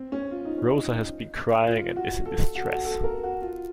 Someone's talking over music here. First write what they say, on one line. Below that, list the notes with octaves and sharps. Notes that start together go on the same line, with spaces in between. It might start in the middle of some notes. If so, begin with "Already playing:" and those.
Rosa has been crying and is in distress.
Already playing: C4
C#4
F4
D#4
C#4
D#4
F4
F#4
A4
F#4
A4
F#4
A4
A#4
F#4
F4